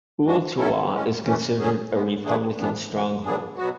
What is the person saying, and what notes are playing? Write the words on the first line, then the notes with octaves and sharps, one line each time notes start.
Ooltewah is considered a Republican stronghold.
F#2 E3 G#3 D4 F#4
A2 F#3 C#4 E4 A4
A2 G#3 C#4
F#2 E3 A3 C#4
F#2 D3 F#3 C#4 G#4
A2 G#3 B3
E3 A3 D4 G#4
F#2 E3 B3 D4
D2 C#3 E3 G#3
G#2 F#3 B3 D4 G#4
B2 F#3 B3 F#4